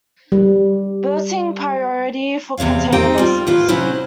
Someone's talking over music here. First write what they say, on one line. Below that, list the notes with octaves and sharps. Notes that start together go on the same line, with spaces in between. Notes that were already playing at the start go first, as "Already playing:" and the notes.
Berthing priority for container vessels.
G3
E2 C3 A3 C#5 F5
C4 D#4 G4 C5 G5
G3 F4
A2 F4 B4
C3 F#3 C#4 E4 C5